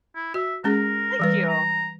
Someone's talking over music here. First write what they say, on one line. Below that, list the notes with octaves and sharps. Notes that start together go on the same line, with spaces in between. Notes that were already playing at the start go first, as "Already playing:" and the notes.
Thank you!
E4
F#4 E5
G#3 C#4 G#4 A#4
E3 G3 B4
A#5